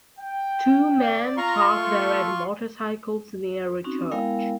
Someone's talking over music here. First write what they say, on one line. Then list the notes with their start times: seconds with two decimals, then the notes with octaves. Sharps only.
Two men park their red motorcycles near a church.
0.19 G5
1.01 D5
1.37 F4 A#5 C6 C#6
1.76 A3 A4
3.84 C4 C#4 D#4 F#4
4.11 G#3 B3 E4 A#4 F5 G5